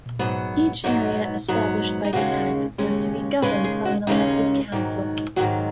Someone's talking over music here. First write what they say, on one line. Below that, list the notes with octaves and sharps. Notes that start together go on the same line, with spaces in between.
Each area established by the Act was to be governed by an elected council.
G#2 F#3 B3
G#2 F#3 B3 D#4
G#2 F#3 B3
D#4
D#2 C#3 G#3 C#4 F#4
D#2 C#3 G#3 C#4
D#2 C#3 G#3 C#4 B4
G#4
F#4
D#2 C#3 G#3 C#4 D#4
G#2 D#3 F#3
G#2 D#3 F#3 F#4